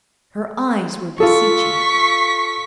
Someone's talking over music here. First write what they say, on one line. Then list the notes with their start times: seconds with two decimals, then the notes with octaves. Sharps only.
Her eyes were beseeching.
1.20 F4 A4 C#6 B6